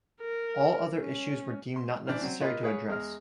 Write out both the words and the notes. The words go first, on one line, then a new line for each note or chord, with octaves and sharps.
All other issues were deemed not necessary to address.
A#4
C#4
C6
E3 D4 B4 C5 F6
F#3 C4
A#3 F4 B4 D#5 C6
G#4 B4 C#5 F5
E2 G#3 F6